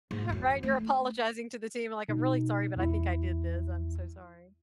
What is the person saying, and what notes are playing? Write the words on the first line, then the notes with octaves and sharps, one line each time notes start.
that?" Right, and you're apologizing to the team, like, "I'm really sorry, but I think I did this. I'm so sorry."
G#2
F#2 E3
A3
B2 D#4
E2 E4